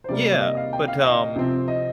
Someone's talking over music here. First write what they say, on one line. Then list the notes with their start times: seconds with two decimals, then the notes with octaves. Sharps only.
yeah. But, um,
0.04 C5
0.09 C3 G3 A#3 D5
0.40 D#5
0.57 F5
0.73 G5
0.88 F5
1.04 D#5
1.36 C3 F3 C4
1.68 D#5